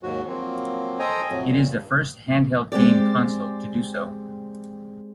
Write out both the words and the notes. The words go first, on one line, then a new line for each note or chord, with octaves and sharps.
It is the first handheld game console to do so.
D#2 G#2 F#3 F#4
F3 F#3 A#3 C4
A4 C5 D#5 G5 G#5 A#5
F2 A2 F#3
A#2
G2
G#3 C4 G4 D5